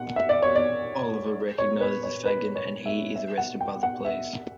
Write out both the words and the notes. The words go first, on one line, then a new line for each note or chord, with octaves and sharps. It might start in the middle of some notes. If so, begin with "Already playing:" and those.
Oliver recognises Fagin and he is arrested by the police.
Already playing: F#5
E5
D5
C#5
D5
C#5
B4
C#5
B4
C#5
E5
E5
F#5
G5
F#5
E5